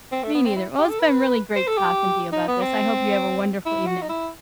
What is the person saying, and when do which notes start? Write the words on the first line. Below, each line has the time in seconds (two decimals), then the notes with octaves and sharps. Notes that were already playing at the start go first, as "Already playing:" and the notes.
me neither, well, it's been really great talking to you about this, I hope you have a wonderful evening.
0.12 C4
0.23 A3
0.34 B3
0.46 C4
0.56 E4
0.78 G4
0.90 A4
1.00 B4
1.56 C5
1.67 A4
1.77 G4
2.33 D#4
2.48 B3
2.61 C4
3.66 E4
3.86 F#4
4.02 D#4
4.09 E4